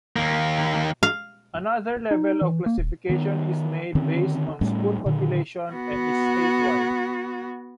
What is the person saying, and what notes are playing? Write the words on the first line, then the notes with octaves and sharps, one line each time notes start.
Another level of classification is made based on school population and is statewide.
D#2 A#3
F5
D#4
E3
A#3
D#1
D#3 B3
D3 D#3 C4 C#4
A2 G3 A3 C#4
A#2 D3 D#3
B3 F#4